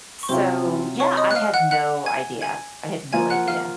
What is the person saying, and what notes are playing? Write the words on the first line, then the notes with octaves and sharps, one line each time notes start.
so, yeah, I had no idea. I had no idea.
C#6
C3 F#3 C#4 F4 C5 C6
C#5 C#6
D#5 D#6
F#6
F5 F6
F#5 F#6
F#5 F#6
G#5 G#6
G#5 G#6
F3 A#3 F4 G#5 G#6
F#5 F#6
F5 F6